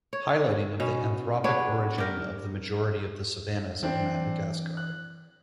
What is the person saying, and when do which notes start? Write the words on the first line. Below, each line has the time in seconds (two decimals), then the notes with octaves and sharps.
Highlighting of the anthropic origin of the majority of the savannas of Madagascar.
0.13 C#5
0.80 B2 C#4
1.44 B3 D4 C#5
1.98 G4 A#4
3.83 E3 C4 D4
4.77 F#6